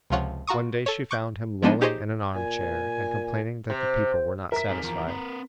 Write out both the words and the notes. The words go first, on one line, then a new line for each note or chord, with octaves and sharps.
One day she found him lolling in an arm-chair and complaining that the people were not satisfied.
C#2 C3 F3 F4 C#5 F#5
F4 F#4 A#5 C#6 D#6
A4 C#5
C#6 D6 F#6 G6 D7
F3 G#3 B3 D4 D#4
D#4 G4 G#4 C5 C#5 D#5
A#2 G#5
C3
A#4 E5 B6
C4 D#4 G#4
E2 F3
C4 B4